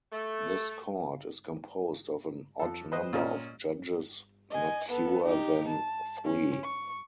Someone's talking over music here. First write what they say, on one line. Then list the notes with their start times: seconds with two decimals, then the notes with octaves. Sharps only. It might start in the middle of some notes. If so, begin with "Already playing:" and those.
This Court is composed of an odd number of judges not fewer than three.
0.12 A3
2.60 F2 A4
2.92 B4 C5 D#5
3.13 A#2 C#4 D#5
4.50 D#5 G#5
4.89 B3 A4
5.24 D#4 G4
5.68 A5
6.24 C#4
6.63 C#6